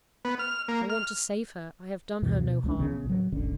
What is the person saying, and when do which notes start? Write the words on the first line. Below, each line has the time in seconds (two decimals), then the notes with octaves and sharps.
I want to save her; I have done her no harm.
0.25 B3
0.39 F6
0.68 A#3
0.90 F6
2.22 D2 G2 B2 E3
2.41 B2
2.64 C#2 G#3 D4
2.79 A#1 C#3 B3 C#4
3.08 A2 F#3
3.32 D#1 G#1 D3 C#4